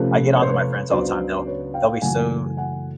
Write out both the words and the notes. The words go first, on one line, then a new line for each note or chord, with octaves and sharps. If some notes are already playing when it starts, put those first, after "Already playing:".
I get onto my friends all the time, they'll they'll be so
Already playing: C3 F3 A3 C#4 A4 B4
C#5
C5
B4 C#5
C#2 C#3 F#3 B3 D4 C5 D5
B4 C#5
F5 G5
F#2 C#3 E3 A3 F#5 G#5
F#5 G#5